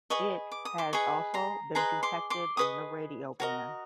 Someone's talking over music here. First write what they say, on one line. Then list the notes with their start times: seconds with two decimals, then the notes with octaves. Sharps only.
It has also been detected in the radio band.
0.10 G#4 B4 D#5 C#6 D#6
0.52 D6
0.65 D#6
0.78 C6 D6
0.93 G#4 B4 D#5 B5 C#6
1.34 A#5 C6
1.75 G#4 B4 D#5 A#5 C6
2.03 C6 D6
2.30 C6 D6
2.57 G#4 B4 D#5 C#6 D#6
3.40 F#4 A#4 D#5